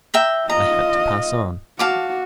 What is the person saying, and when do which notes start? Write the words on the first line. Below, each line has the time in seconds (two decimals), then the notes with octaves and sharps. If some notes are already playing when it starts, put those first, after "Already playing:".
I had to pass on.
0.14 E5 G5 A#5
0.50 F4 D#5 A#5
1.79 F#4 F5 A5 D6